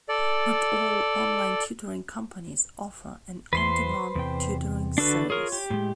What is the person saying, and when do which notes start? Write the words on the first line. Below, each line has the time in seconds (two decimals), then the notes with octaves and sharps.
Not all online tutoring companies offer an on-demand tutoring service.
0.09 A4 D5
3.53 E2 B4 C5 C6
4.15 E2 C3 G5
4.98 D3 D4 F#4 A4 B4
5.30 F4 G#4 A#4 C#5
5.52 G4
5.70 A2 G#3